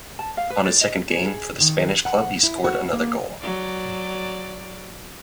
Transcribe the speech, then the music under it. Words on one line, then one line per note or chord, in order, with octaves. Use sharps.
On his second game for the Spanish club he scored another goal.
A5
F5
B4
D5
D#5
G#4
D#3
F#5
E4
F#4
A#3
F#3 D5